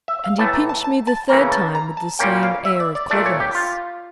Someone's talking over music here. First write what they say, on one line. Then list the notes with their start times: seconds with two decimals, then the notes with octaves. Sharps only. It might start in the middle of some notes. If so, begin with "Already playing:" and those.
And he pinched me the third time with the same air of cleverness.
0.08 E5
0.24 F5
0.38 A2 E3 A3 A5
0.53 A#5
0.69 A5
0.84 A5
1.07 A5
1.29 C#3 E3 A#3 C#4 A#5
1.52 A5
1.75 A#5
1.97 A5
2.19 A#2 G3 A#3 C#4 G5
2.43 F5
2.65 E5
2.80 D5
2.95 D5
3.10 A#2 A3 D4 D5
3.26 C#5
3.40 G4
3.55 F4